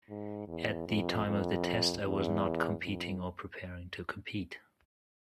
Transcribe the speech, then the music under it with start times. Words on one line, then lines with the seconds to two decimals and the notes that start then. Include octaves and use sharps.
At the time of the test, I was not competing or preparing to compete.
0.09 G#2
0.48 E2
0.87 F2
1.26 F2
2.05 E2
2.83 F2